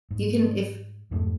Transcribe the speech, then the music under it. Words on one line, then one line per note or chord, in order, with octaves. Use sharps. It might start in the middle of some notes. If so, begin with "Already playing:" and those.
you can if
G#2
F2 G#2 A3